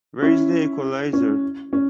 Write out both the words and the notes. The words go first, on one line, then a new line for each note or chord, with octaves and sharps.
Where is the equalizer?
C#4 E4
C#4
C#4